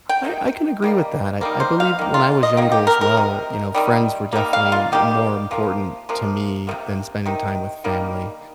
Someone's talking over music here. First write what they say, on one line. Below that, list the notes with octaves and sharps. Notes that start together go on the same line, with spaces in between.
I I can agree with that, I I believe when I was younger, as well, you know, friends were definitely m more important to me than spending time with family.
G5
C3 D#3
D#3 G3 A#3
D#3 G3 A#3
C5
F5
D#3 A#3
F4
D#5
D#3 A#3 G4
G4
A#4
A#4
C3 D#3
C3 D#3 G3
D#3 G3 A#3
F5
F4
D#3 G3 A#3 G4
C3 F3 A#3
C3 F3 A#3
C3 D#3 A#3
C3 D#3
D#3 G3 A#3